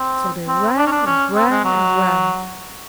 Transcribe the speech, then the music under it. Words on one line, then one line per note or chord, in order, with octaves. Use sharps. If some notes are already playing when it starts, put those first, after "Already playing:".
So they ran and ran and ran.
Already playing: C4
C4
D4
C#4
D4
C#4
C4
G#3
F#3